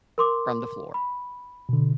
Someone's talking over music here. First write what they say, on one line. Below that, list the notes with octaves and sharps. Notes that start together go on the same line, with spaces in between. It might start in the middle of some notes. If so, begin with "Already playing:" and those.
From the floor.
A#4 C6 D6
B5
B2 D3